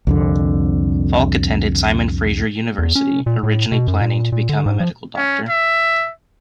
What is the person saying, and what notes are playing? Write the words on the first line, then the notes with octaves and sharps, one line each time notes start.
Falk attended Simon Fraser University, originally planning to become a medical doctor.
C2 F2 D3
E2
C#4
A#2
A2
B2
F#2
A#2
A#2
D3
G#2
F3
C#4
E5